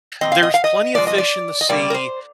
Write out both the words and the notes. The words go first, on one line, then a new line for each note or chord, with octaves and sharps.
There's plenty of fish in the sea,
A#2 G#3 C4 D#5
F5
D#5
F5
D#5
C3 F3 G#3 D5
D#5
D5
D#5
C3 G3 A#3 D5
A#4
C5